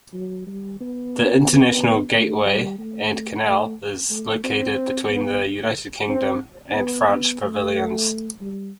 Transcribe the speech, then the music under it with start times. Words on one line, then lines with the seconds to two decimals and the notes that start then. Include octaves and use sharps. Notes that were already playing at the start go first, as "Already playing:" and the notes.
The International Gateway and canal is located between the United Kingdom and France pavilions.
0.13 F#3
0.47 G3
0.81 B3
1.46 B3
2.12 A3
2.46 G3
2.79 A3
3.44 A3
4.10 A3
4.44 C4
5.10 B3
6.09 C4
6.75 B3
7.08 B3
7.42 A3
8.41 G3